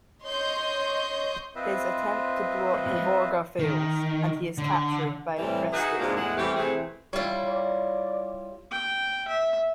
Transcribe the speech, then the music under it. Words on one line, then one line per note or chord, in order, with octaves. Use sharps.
His attempt to blow up the "Vorga" fails, and he is captured by Presteign.
C#5 D#5 C6 G6
C4 F4 B4 C5 D#5 E5
D#3
D3
A2 C3 E3 G3
D#4 F#4 G#4 B4 E5
G#2 C3 G#3 A#3 D4 F4
E2 A2 G#3 E4 F#5
E3 G3 A3 C4 G4
C3 E3 A3 C4 G#4
G3 E4 F4 C#5
D5
G5
E5